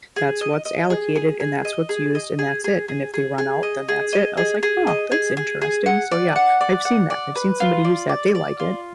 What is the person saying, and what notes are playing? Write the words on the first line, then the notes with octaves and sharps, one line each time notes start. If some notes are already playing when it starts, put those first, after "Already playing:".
that's what's allocated, and that's what's used, and that's it. And if they run out, then that's it. I was like, "Huh, that's interesting." So, yeah, I've seen that. I've seen somebody use that. They like it.
G#4
D#5
D#5
G#4
G#4
G#4
D#5
G#4
D#5
G#4
G#4
G#4
G#4
G#4
D#5
G#4
D#5
G#4
G#4
D#5
G#4
G#4
G#4
F#5
D5
F#5
D5
F#5
D5
B4
F4
D5
D5
D5
F4